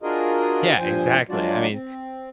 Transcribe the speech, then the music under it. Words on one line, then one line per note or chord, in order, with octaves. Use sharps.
Yeah, exactly, I mean,
D4 F4 F#4 G#4 A#4 D#5
G2 A#2 F3 C5 G5 G#5
F#3 G#3 D4 F4 F#4 D5
C4